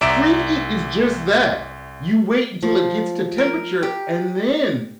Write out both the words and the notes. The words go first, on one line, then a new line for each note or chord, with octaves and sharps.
Preheat is just that, you wait until it gets to temperature, and then
C2 D5 E5 A#5 D7 E7
F3
A#4
G4